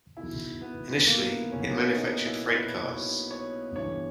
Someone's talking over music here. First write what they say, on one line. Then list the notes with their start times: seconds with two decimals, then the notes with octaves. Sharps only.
Initially it manufactured freight cars.
0.17 B1 B2 E4
0.61 B3
1.06 B1 B2 A#3
1.51 C#4
1.60 B3
1.69 A#3
1.77 B3
1.96 B1 B2 D#4
2.26 E4
2.57 B4
2.86 B1 B2 C#5
3.31 C#5
3.76 G1 G2 E3 C#5